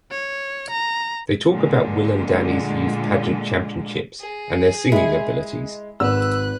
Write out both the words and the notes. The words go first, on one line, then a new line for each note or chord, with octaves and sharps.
They talk about Will and Danny's youth-pageant championships and their singing abilities.
C#5
A#5
A#2 D3 G#3
G#4
G#3 E4 G#5
G#1 B4 E6 F#6